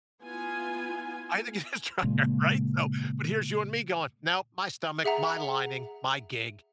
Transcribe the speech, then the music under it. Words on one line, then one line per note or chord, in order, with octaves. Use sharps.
I think it is trillion, right? So but here's you and me going, "No, my stomach, my lining, my gig,
B3 E4 F4 G#5
A#2 C#3 G#3 A#3
G#4 E5 F#5 A#5